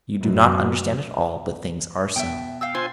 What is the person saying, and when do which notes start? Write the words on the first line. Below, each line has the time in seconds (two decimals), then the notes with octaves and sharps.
You do not understand at all--but things are so.
0.20 F#2 B2
2.16 B2 E5 G5
2.61 F5 G5 E6
2.75 F4 C5 G#5 C6